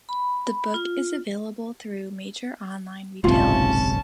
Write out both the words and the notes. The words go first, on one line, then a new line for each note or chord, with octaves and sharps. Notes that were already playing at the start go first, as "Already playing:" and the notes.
The book is available through major online retailers.
B5
F4
F#1 B1 G#2 C3 C#4 F4 F5 A5